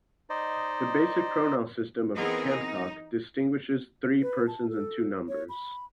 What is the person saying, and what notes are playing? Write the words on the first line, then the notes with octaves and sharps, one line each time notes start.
The basic pronoun system of Kamtok distinguishes three persons and two numbers.
D#4 C5 D5 D#5
E3 B3 C4 D#4 G#4 A#4
D#4
B4
A5
A4
C#5
B5